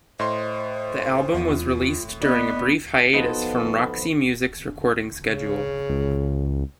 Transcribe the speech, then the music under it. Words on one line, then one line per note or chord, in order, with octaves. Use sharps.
The album was released during a brief hiatus from Roxy Music's recording schedule.
A2 C5 D#5 C6
E2 F4
B3 D5 D#5 F#6
F3 B3 D#4 E4 F#4 A4
C#3
C#2